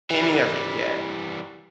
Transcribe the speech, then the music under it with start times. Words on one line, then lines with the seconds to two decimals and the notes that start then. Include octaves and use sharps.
any of it yet,
0.11 E3 G3